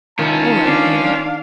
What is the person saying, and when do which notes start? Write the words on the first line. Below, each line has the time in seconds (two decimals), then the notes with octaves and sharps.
'All right, Mother.
0.19 D#3 C#4 E4 F4 A5
0.64 D4 F5